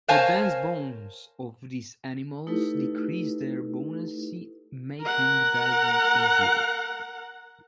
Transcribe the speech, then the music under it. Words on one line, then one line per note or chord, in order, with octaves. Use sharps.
The dense bones of these animals decreased their buoyancy, making diving easier.
A#4 C5 C#5 F5 G#5 A5
A3 D#4 E4 G4 A4 B4
A#4 F#5